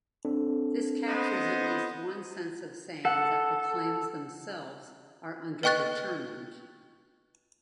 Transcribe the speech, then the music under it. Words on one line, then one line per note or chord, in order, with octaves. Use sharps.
This captures at least one sense of saying that the claims themselves are underdetermined.
C4 D4 A4
B3 C5 D#5
A4 F#5
B4 D#5 G5 C#6 F#6 A6